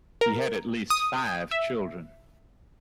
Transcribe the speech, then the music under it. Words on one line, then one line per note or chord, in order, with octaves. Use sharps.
He had at least five children.
A#4
D#6
E5